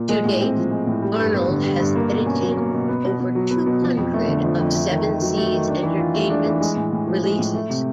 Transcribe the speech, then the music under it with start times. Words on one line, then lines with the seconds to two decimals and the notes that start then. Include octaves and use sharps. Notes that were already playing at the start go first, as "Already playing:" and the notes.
To date, Arnold has edited over two hundred of Seven Seas Entertainment's releases.
Already playing: A#2
0.09 G#3
0.25 A2
0.40 C4
0.56 F3
0.71 G#3
0.87 A2
1.02 G3
1.18 G2
1.34 B3
1.49 D3
1.64 G3
1.80 G2
1.96 A#3
2.11 B2
2.26 C#4
2.42 F#3
2.57 A#3
2.73 B2
2.88 B3
3.04 B2
3.20 B2
3.35 F#3
3.50 B3
3.66 B2
3.82 F3
3.97 F2
4.13 A3
4.28 D3
4.44 F3
4.60 F2
4.75 A3
4.90 D#3
5.06 D#3
5.21 F#3
5.37 A3
5.53 D#3
5.68 D4
5.83 E3
5.99 F4
6.14 A3
6.30 D4
6.46 E3
6.61 G#3
6.76 A2
6.92 A2
7.08 F3
7.23 G#3
7.39 A2
7.54 A3
7.70 C3